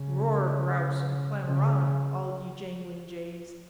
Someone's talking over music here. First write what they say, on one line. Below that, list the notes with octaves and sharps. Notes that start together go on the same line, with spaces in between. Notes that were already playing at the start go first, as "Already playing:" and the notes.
Roar, grouse, and clamor on, all ye jangling jays.
Already playing: C#3
C#3